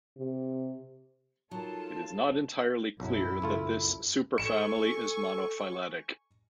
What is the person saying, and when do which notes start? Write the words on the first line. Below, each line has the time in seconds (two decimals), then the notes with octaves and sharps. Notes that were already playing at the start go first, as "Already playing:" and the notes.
It is not entirely clear that this superfamily is monophyletic.
0.17 C3
1.51 F#3 D#4 F4 A4 A#4 A5
3.00 B1 F#2 F#3 E4
3.42 C#2 A3 F4
4.38 A4 G#5 C#6 C#7 E7